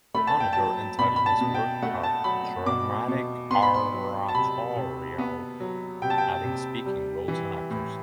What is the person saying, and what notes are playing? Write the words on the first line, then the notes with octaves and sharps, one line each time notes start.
Honegger entitled his work a "dramatic oratorio", adding speaking roles and actors.
A3 B5
A5
G5
F#3 A5
B2 B5
B5
A5
B2
G5
A3 F#5
A5
F#3 B5
B2 D6
B2
B3 C6
B5
C6
F#3
A5
C3 B5
C3
B3
F#3
C3 G5
A5
G5
C3
G3
E3
A2